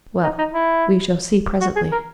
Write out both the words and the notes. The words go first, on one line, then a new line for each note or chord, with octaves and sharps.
Well, we shall see presently.
D#4
D#4
E4
F#4
G#4
A#4